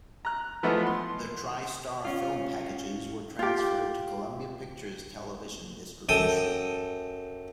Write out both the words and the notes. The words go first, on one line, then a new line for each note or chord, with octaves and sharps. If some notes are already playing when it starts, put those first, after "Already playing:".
The Tri-Star film packages were transferred to Columbia Pictures Television Distribution.
A#5 F#6
E3 F3 G#3 A3 B3 F4
C6
C#4 F4
F4 G4
F#2 A4 G5 D#6